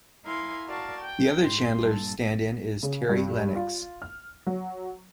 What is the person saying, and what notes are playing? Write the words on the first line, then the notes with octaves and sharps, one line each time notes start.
The other Chandler stand-in is Terry Lennox.
E4 A#4 F5 G#5 C6
F#4 A#4 D5 F5 A5 C#6
G5
G#2 C6
G2 A#2 A4
C#3
G2
F4
F6
F#3